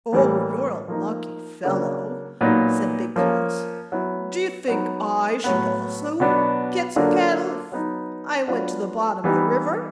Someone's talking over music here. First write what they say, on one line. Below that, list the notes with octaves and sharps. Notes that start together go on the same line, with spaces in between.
'Oh, you're a lucky fellow!' said Big Klaus. 'Do you think I should also get some cattle if I went to the bottom of the river?'
A2 E3 G3 A#3 C#4
F3 A#3 D#4
C#3 F#3 A#3 D4
A#2 F#3 B3 D#4
F3 A#3 C#4
F#3 B3 E4
F#3 B3 D#4
A2 F#3 B3
B2 F#3 B3 D4
D3 F#3 A#3 D4 F4
F#3 B3 D#4
F#3 B3 D4 F4
E3 G3 B3 D#4